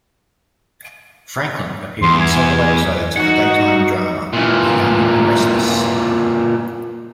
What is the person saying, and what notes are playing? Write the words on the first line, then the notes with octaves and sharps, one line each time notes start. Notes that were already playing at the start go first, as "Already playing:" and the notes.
Franklin appeared in several episodes of the daytime drama "The Young and the Restless".
E2 C6
G#5
D#4 F#4 F#5
A#2 E3